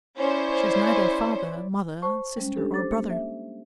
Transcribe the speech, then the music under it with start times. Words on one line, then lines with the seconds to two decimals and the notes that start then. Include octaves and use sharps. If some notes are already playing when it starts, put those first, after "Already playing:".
She has neither father, mother, sister, or brother.
0.18 C#4 E4 C5 D5
2.02 C5 A5 C#6
2.37 G3 G#3 C#4
2.56 D4 G4 A4
2.74 C5 D6 A6
2.92 A#3
3.10 E5